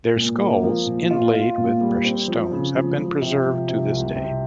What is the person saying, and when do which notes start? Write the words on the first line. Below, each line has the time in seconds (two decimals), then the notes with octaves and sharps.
Their skulls, inlaid with precious stones, have been preserved to this day.
0.16 A#2
0.40 A#3
0.63 F3
0.86 A#2
1.11 F4
1.34 F4
1.58 A#2
1.81 G3
2.05 C4
2.28 F3
2.52 C#3
2.76 F3
2.98 F3
3.22 C3
3.46 F3
3.69 C3
3.92 C2
4.16 C3